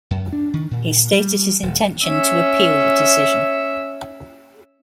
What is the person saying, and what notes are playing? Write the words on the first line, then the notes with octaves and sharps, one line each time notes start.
He stated his intention to appeal the decision.
F#2
D4
D#3
A#2
G3
D#1
C#4 E5